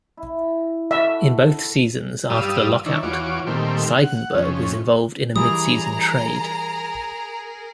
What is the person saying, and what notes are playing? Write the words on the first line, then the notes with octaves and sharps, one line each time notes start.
In both seasons after the lockout, Seidenberg was involved in a midseason trade.
E4
F#4 A4 E5
G2 G3 F5 D#6 E6
D#3 D4 E4 C#5
E2 F4 F#4 C#5 D6
A#2 D#3 G3 A3 C4
F#5
F2 C#4
E3 G3 G#4 A#4 A#5 D#6